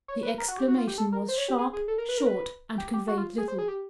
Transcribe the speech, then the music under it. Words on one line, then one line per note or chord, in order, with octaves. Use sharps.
The exclamation was sharp, short and conveyed little.
C#5
B4
A#4
F#4
G4
F#4
F4
G4
A4
A#4
C5
C#5
G4
G#4
G#4
A4
A#4
B4
A#4
B4
G4
G4
F#4
F4
G#4
C5
G#4
G4